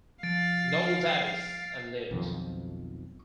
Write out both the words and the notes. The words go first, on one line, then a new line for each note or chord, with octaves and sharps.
Noel Davis and Lieut.
F3 F5 A6 D7
B1 F2 D#3 F3